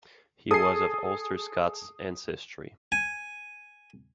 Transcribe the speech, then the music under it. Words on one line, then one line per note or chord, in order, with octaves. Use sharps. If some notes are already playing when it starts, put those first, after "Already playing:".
He was of Ulster Scots ancestry.
G#4 A4 D#6 C7
G#5